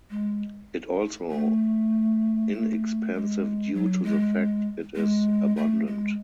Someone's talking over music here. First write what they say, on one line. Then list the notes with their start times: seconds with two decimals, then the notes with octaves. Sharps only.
Its also inexpensive due to the fact it is abundant.
0.10 G#3
1.31 A3
2.52 A3
3.14 G#3
3.74 F#3
4.04 G#3
4.95 G#3
5.56 A3
5.87 G#3